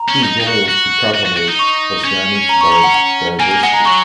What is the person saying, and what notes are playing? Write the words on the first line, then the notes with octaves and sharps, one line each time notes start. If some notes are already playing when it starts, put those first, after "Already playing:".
His goal was to catalog oceanic biodiversity.
Already playing: A#5
C#4
D#4
D#4
F#4
F#4
F#4
F#4
F#4
D#4
C#6
C#4
A#5
C#6
A#5
F#5
F#5
A#3 G#5
G#5
G#3 F#5
A#5
F#3 C#6